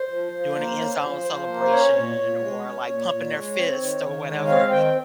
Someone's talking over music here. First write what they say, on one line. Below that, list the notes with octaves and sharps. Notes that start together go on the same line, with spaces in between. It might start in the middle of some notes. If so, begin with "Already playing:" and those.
doing an end zone celebration or, like, pumping their fist or whatever
Already playing: C5
F3
F3
A#3
C#4
F3
F3
A#3
C#4 C#5
A#2
A#2
G#3
C#4
A#2
A#2
G#3
C4
D#3
D#3
G#3
C4 F5
D#3 G5